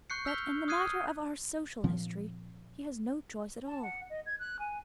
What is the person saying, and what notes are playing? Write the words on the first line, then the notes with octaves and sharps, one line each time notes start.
But in the matter of our Social History he has no choice at all.
C#6 F#6 G6 C7 C#7
E6 F6 G6 B6 F7 G7
D#6 F6 F#6 G#6 C7 D#7
A#2 F3 C4
A5
F#5
D#5
G#6
F#6
G#5